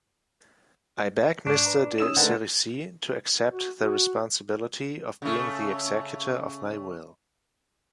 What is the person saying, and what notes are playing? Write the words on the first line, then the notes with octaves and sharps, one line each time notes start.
I beg Mr. de Sérisy to accept the responsibility of being the executor of my will.
G#2 D4 C#6
B4 D5 A#5
C#4 D#4 D#6 E6 E7
D3 A3 D#4 A#4 B4 F#5
F#4
F#4
C#3 A3